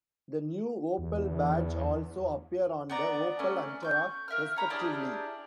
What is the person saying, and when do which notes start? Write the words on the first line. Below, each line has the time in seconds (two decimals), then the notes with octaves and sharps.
The new Opel badge also appear on the Opel Antara, respectively.
0.98 E2
2.90 B3 D5 A#5
3.39 A3 C#4
3.83 C#6 G6
4.28 A#4 E5 F5 F6
4.56 C#5 A#5 B5
4.70 D4 E4 G4 G#4